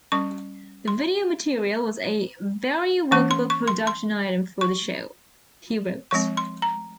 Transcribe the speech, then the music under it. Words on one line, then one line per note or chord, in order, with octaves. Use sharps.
"The video material was a very workable production item for the show," he wrote.
G3 C#4 C#6
C6
E3 A#3 C#4 C#6
C6
C#6
C6
C6
C#6
F3 G#3 C4 C#6
C6
A#5